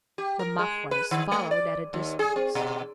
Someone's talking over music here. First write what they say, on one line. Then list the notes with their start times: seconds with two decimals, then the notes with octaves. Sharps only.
The Maquas followed at a distance.
0.18 G4
0.39 A#4
0.59 G#3
0.91 B4
1.11 D#3
1.31 A3
1.51 D5
1.94 D#2
2.19 G#4
2.36 C4
2.55 B2